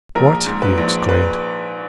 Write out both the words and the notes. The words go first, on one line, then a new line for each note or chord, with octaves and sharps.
"What!" he exclaimed.
A#1 A#4
G#2
B4
A#1
B4